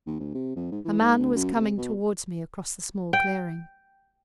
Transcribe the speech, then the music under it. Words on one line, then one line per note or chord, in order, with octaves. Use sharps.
A man was coming towards me across the small clearing.
D#2
D2
C3
F2
G#2
E3
G#2
D2
F#2
C3
B2
G5